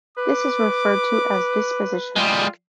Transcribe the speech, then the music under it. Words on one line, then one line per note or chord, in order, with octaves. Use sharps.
This is referred to as disposition.
B4 D6
G3 G#3 F4